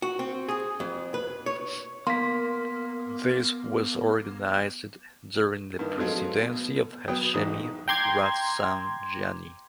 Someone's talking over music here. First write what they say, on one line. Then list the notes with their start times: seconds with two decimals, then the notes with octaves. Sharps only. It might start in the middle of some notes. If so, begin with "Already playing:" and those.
This was organized during the presidency of Hashemi Rafsanjani.
0.02 F#4
0.19 C4
0.48 G#4
0.80 F2
1.14 B4
1.46 C#5
2.07 A#3 B3 C6 B6
5.79 G2 D#3
5.97 F3 F#3 G#3 A3 C4
6.42 B2
7.08 F#3 B3 G5 D#6
7.34 A1 G#2 D#6
7.88 G5 A#5 C6 D6 G#6